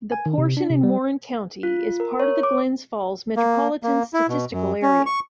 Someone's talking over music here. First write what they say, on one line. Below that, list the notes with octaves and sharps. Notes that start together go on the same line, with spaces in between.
The portion in Warren County is part of the Glens Falls Metropolitan Statistical Area.
G#5
D#3
C3
D4
C3
G3
F4
A#4
C#5
D6
A#3
A#3
E4
B2
F#2
C#4
C#6